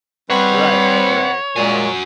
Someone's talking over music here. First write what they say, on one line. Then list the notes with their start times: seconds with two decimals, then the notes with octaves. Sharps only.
Right, right.
0.30 G3 C4 B4 C#5 E5 F#5
1.56 A#2 G#3 F#4 G#5